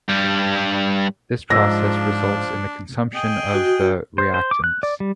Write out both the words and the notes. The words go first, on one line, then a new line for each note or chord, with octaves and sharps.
This process results in the consumption of the reactants.
G2 G3
G#2 F3 D4 E6 A#6
G#4 D#5 G5
F#4
C5
C5
D6
F#6
D5
G3